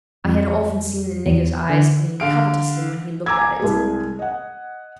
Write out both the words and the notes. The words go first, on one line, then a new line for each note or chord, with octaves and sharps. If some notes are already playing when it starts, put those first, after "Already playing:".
I had often seen the nigger's eyes gleam covetously when he looked at it.
F2
E2
D3
D3 F5 D7
G#5 A#5 D6 E6 G#6
C2 G#3 G#4
D#5 F#5